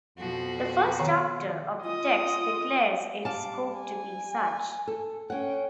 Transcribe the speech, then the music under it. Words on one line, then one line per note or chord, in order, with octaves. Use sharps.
The first chapter of the text declares its scope to be such.
F2 B2 F3 F#4
D#3 C#5 A#5
F4 D#5 D#6
G3 F5 A5 D6
G#5
A4
C#4 F#5 G5